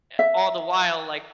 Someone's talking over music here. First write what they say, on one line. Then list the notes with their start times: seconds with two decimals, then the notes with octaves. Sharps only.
eh, all the while, like
0.19 E5